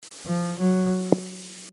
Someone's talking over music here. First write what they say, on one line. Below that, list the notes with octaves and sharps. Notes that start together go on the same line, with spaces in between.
She’s laughing at me because i have soap on my face.
F3
F#3